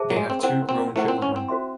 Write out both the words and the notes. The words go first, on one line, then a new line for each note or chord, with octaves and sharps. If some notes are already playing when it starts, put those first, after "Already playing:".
They have two grown children.
Already playing: G#4 C5 E5 A5
F#3
G#3
C4
C4 E4 C5 F#5
C4
A3 E4 C5 F#5
C4
C#4
C4
F#4 C5 E5 C6